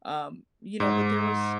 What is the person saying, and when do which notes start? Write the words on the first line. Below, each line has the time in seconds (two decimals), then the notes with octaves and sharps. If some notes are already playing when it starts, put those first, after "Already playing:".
um, you know? But there was,
0.80 G#2